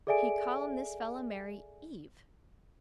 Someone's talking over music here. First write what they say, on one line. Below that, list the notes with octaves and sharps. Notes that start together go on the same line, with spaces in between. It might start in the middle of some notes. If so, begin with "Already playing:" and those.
He call him this fella Mary, Eve.
G#4 A4 D5 E5 G#5 D7